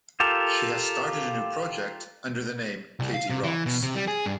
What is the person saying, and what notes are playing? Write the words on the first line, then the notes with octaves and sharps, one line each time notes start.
She has started a new project under the name Katie Rox.
F4 G4 A4 A#4
C2
F5
C3
E3
B2
C3
G3
G#4
G2